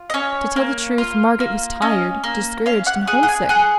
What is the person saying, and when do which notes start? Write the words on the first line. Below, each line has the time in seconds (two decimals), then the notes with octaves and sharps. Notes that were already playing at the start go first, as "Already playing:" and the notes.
To tell the truth, Margaret was tired, discouraged, and homesick.
Already playing: F4
0.10 D#5
0.14 C#4 C#5
0.56 A#3
0.98 F4
1.40 A#3
1.82 C#4 D#5
2.24 A#3
2.66 C#4 F5
2.87 F#5
3.07 G#4 F#5
3.23 F#5
3.29 G#5
3.49 G#4 F#5